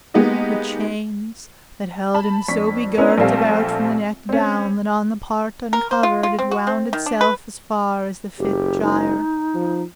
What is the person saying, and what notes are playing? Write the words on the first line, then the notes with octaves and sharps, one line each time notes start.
With chains, that held him so begirt about From the neck down, that on the part uncovered It wound itself as far as the fifth gyre.
G#3 A#3 B3 D#4 G4 D#5
A5 B5
F2 D4 C#6 B6
B3 C#4 D4 E4 A#4
A#1 G3 A3 C4 A4 F5
C4 C#4
A#4
C5
F4
F4
C4
F#4
C4
D#3
D4
B4
F#1 G4
D#4
F3